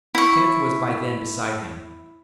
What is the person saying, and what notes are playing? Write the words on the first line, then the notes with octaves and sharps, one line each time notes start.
Kenneth was by then beside him.
E4 C#6